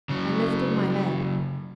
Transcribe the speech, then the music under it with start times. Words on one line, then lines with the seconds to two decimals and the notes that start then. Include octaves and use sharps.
I lifted my head.
0.09 C#3 F#3